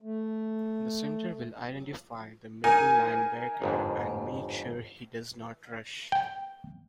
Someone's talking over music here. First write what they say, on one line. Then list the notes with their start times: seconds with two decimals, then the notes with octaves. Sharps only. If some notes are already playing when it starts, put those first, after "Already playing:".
The center will identify the middle linebacker and make sure he does not rush.
0.02 A3
2.64 D#4 A#4 G#5
3.62 G1 F2 G#2
6.12 G5